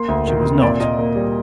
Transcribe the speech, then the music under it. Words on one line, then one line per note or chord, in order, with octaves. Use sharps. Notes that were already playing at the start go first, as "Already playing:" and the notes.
She was not.
Already playing: A#3 C6
D2
D#3
C3
A#2 D5
A#2 D#5
A#3
G3